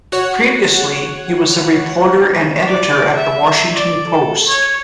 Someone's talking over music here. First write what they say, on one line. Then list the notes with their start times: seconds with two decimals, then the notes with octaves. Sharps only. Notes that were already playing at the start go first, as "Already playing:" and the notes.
Previously, he was a reporter and editor at "The Washington Post".
0.12 F#4 C#5 F#5
2.66 D5
3.15 E5
3.74 D5
4.08 A4
4.46 C#5